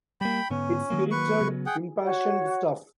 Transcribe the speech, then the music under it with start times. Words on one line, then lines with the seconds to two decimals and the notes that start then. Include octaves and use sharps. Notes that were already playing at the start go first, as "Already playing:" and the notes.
It's spirited, impassioned stuff.
0.21 G3 A#3 G5 B5
0.50 G#2 D3 B3 C#4
0.90 D#3 F#3 A#3
1.11 B4 C#6
1.38 C#3 F#3 B3
1.66 G#4 F#5 G5
2.05 F#4 C#5 F#5